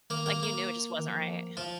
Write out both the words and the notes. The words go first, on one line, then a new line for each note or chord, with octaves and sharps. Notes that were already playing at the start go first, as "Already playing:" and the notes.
like you knew it just wasn't right.
D#3 A#3 A#4
A#3 A#4
A#3 A#4
D#3
F3
F3 F4